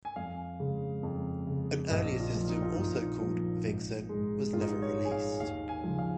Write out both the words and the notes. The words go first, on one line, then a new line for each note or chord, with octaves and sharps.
An earlier system also called "Vixen" was never released.
G#5
F2 F5
C#3 G#3
F2
C#3 G#3
A#1 D#5
F4
A#2 F3
D#4
F4
A#1 D#4
A#2 F3
G#1
G#2 G#3
G#1 F4
D#4
F4
C#5
G#2 G#3
G#5
F5
D#2 F5
G#5
C#3 F3
F5